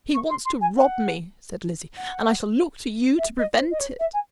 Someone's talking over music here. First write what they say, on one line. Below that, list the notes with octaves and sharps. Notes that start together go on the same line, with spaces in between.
"He wants to rob me," said Lizzie, "and I shall look to you to prevent it."
C#6
C6
C6
G#5
F#5
F#5
E5
D#5
C5
D#5
C#5
E5
G#5